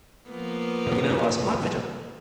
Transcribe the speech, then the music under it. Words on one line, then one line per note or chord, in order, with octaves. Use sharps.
The winner was Mark Fletcher.
F3 A#3 B3